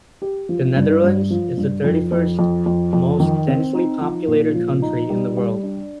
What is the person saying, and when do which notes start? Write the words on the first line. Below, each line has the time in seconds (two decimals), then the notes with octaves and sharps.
The Netherlands is the thirty-first most densely populated country in the world.
0.22 G4
0.49 F3
0.76 G2
1.04 G2
1.30 F3
1.58 G2
1.84 F2
2.12 F2
2.39 F2
2.66 F2
2.93 F2
3.20 D#3
3.48 C4
3.74 D#4
4.01 F3
4.28 A#2
4.55 F3
4.82 D#4
5.10 G3
5.37 G3
5.63 D4